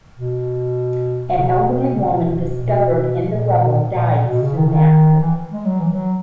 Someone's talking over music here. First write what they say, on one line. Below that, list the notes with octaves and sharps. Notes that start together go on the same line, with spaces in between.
An elderly woman discovered in the rubble died soon after.
B2
C#3
B2
C#3
B2
A#2
B2
A#2
B2
A#2
A#2
B2
C#3
D#3
C#3
D#3
E3
G#3
F#3
E3
F#3